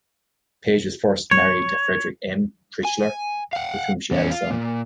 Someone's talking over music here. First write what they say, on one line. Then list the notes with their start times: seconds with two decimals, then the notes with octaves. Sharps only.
Page was first married to Frederick M. Tritschler, with whom she had a son.
1.31 C#5
2.85 G#5
3.53 F5 F#5
4.11 E2 C#4
4.31 F4
4.50 A#2